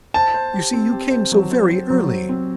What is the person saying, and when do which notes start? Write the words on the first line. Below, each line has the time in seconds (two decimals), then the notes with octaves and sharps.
"You see you came so very early."
0.14 C5 A5
0.34 C5
0.53 G4
0.74 C4
0.92 G4
1.11 C5
1.32 F#3
1.51 C5
1.71 C5
1.90 F#3
2.09 C5
2.29 C4